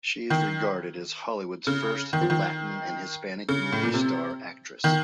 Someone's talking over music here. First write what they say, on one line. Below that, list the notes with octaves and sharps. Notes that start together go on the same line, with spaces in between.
She is regarded as Hollywood's first Latin and Hispanic movie star actress.
D#3
C#3
D#3
F3
D#3
C#3
A2
A#2
C3
D#3